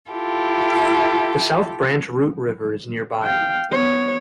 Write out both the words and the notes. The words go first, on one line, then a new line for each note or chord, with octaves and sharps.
The South Branch Root River is nearby.
E4 F4 G4 A4
F5 G5
B3 C#5